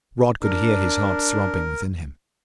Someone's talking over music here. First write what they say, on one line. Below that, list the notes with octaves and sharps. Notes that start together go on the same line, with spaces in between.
Rod could hear his heart throbbing within him.
D4 A#4